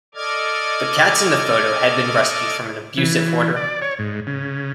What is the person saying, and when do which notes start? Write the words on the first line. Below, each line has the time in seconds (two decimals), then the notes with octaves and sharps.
The cats in the photo had been rescued from an abusive hoarder.
0.15 A4 D5 D#5 D6 F6 G#6
2.98 E3
3.56 D5
3.82 C#5
3.99 G#2
4.27 C#3